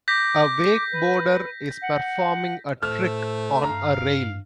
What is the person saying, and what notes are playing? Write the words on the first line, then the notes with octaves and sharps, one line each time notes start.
A wakeboarder is performing a trick on a rail.
D6 G6 A#6 B6
B4
F#5
A2 A3 C5 E6 F6
G2 F5 A#5